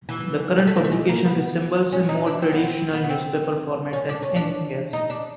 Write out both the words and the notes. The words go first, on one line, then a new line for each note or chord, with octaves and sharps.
The current publication resembles a more traditional newspaper format than anything else.
E3
G#3
A3
A#3
A3
G#3
A#3
B3
C#4
D#4
D4
C4
B3
C4
B3
B3
C4
C#4
D4
C#4
D4
D#4
D4